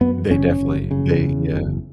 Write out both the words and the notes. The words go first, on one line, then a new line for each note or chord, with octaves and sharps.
They definitely they Yeah.
F#2 B3
F#1 C#4
F#1
C#3
E2
F#1